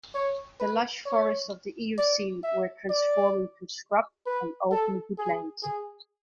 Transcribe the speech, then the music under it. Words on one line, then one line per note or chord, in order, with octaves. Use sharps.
The lush forests of the Eocene were transforming to scrub and open woodland.
C#5
B4
C#5
D5
E5
D5
B4
A4
G#4
G#4